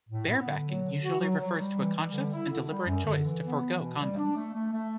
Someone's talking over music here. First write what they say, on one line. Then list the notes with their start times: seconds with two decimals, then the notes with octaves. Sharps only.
"Barebacking" usually refers to a conscious and deliberate choice to forgo condoms.
0.10 A2
0.28 B3
0.47 D3
0.65 F#3
0.83 D3
1.02 F#4
1.20 F#3
1.39 F#3
1.58 G3
1.76 E3
1.95 G3
2.13 D3
2.32 E4
2.50 D3
2.69 G3
2.87 F#2
3.05 D3
3.24 E3
3.43 B3
3.61 E3
3.80 B2
3.99 G3
4.17 D4
4.36 A3
4.54 A3
4.72 A3